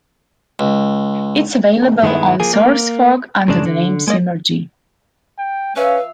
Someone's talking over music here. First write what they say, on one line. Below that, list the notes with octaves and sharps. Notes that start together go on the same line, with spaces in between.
It is available on SourceForge under the name "Simergy".
C#2
G2 D#3 G#3 B3 E4
F3 A#3 G#4
A#3
F#2 A2 C#3 G#3 D4
D3
G#3 A#3 D5 D#5
G5
F3 C#4 B4 E5 F5